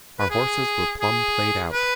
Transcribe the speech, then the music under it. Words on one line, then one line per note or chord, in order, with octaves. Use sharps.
Our horses were plumb played out.
B4
G#4
G#4
B4